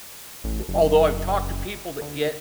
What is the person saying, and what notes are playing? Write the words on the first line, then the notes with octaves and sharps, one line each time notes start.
although I've talked to people that get
A1
F#1
D2